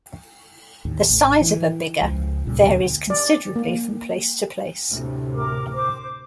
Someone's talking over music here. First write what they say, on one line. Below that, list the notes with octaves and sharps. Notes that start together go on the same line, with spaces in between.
The size of a "bigha" varies considerably from place to place.
D#2 A2
A1 A2
E3
C#2 F3
C2 A#2 C#3 G3
D2 B2
D5
A#3
D2 A2 C3
A#4 D6
C5 D6